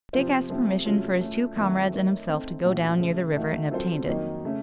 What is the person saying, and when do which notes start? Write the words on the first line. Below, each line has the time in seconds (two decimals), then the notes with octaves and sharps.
Dick asked permission for his two comrades and himself to go down near the river and obtained it.
0.13 C3 F3 C4 F4 C5
0.49 C3 F3 A3 C4
0.85 C3 F#3 A3 C#4 F4
1.21 A3 C#4 F4
1.56 F2 D#3 F#3 A3 C4
1.92 A3 D#4 A#4 C#5
2.28 A3 C4 D#4 A4
2.64 A#2 F3 A3 C#4 F#4
2.99 C#3 F3 A3
3.35 D#3 A3 D#4 F#4
3.71 F#3 C4 F4 A4 C5
4.07 F2 D#3 F#3 A#3 D#4
4.44 C#3 A3 C#4